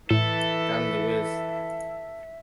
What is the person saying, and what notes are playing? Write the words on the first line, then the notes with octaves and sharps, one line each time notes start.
I'm the Wiz!
A2 E3 A4 E5